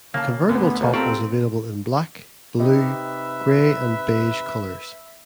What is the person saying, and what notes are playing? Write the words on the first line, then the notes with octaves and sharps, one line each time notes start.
The convertible top was available in black, blue, grey and beige colors.
C#3 A#3 F5 A5
D2 D3 B3
A#1 D#2 A#3
C4 F4 G4 A4 D5 A#5 C#6
C3 D#4 G4 B4 E5